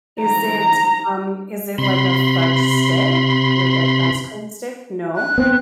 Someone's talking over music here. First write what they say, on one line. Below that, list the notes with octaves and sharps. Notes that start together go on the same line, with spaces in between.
Is it, um is it, like, a fudge stick? Like, a ice cream stick? No?
A#5
C3 B5 C6
F#6
B3 C4